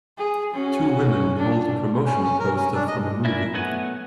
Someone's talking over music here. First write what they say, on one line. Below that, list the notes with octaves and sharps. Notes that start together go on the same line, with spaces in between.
Two women hold a promotional poster from a movie.
G#4
C#4 F#4
D4
C#4
C#4
A#4
C#4
D4
D#5
D4 E4 A#4 G#5
F#3 A3 B3 F#5 G#5